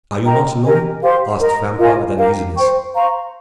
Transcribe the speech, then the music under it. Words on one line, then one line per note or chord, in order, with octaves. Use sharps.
"Are you not alone?" asked Vampa with uneasiness.
A#4 D#5 G5 A#5
G4 A#4 D#5 G#5
G4 C5 F5 C6
A#4 D#5 A#5
F4 A#4 D#5 G#5
G4 A#4 F5
C5 G5 C#6
C5 F5 A#5 C#6